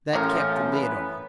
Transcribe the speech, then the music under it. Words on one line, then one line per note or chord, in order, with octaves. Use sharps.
That kept the lid on.
A1 A2 C3 F3 C#4 A#4
B3 B4